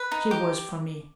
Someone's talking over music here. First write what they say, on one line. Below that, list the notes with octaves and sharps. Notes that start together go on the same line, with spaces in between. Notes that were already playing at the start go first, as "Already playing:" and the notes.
She was for me.
Already playing: B4
D#4
G4